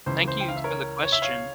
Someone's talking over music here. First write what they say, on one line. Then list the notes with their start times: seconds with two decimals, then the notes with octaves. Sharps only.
Thank you for the question.
0.06 C#2 C#3 E3 C5
0.17 A#4
0.28 C5
0.40 G5
0.48 F5
0.56 E5
0.64 A#4 C#5
1.03 C#5
1.12 E5
1.22 C#5 F5